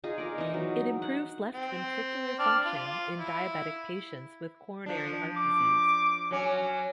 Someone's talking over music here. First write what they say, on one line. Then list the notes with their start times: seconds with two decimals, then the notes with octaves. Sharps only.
It improves left ventricular function in diabetic patients with coronary heart disease.
0.04 D#4 F4 G#4
0.18 A#4 D5
0.38 E3 D#4
0.54 F#3
1.02 F#5
1.54 C4
2.39 D4 D5 F6
2.65 F4
3.19 E4
4.86 F3 D4
5.37 D6
6.31 F#3 C#4